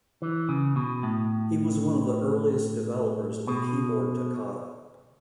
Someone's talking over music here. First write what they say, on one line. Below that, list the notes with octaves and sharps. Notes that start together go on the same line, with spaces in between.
He was one of the earliest developers of the keyboard toccata.
E3
C#3
B2
A2
B2